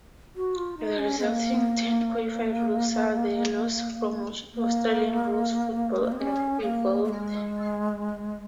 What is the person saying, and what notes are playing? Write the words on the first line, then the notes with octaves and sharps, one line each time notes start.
The resulting ten codified rules are the laws from which Australian rules football evolved.
F#4
F4
D#4
C#4
C4
A#3
A#3
G#3
A#3
C4
C#4
A#3
A#3
G#3